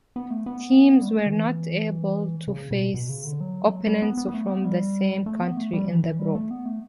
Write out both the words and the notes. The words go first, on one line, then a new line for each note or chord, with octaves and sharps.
Teams were not able to face opponents from the same country in the group.
B3
A3
B3
G3
A3
D3
E3
C#3
B2
B2
C#3
D3
F#3
G3
B3
B3
B3
A3
B3
G3
A3
B3
A3
G3
E3
E3
G3
A3
B3
A3